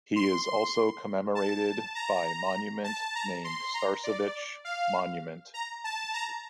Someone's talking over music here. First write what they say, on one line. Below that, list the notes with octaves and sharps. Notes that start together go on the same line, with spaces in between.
He is also commemorated by monument named "Starcevich Monument".
C6
A5
A#5
A5
A#5
C6
A#5
D5
F5
A#5
A5
A#5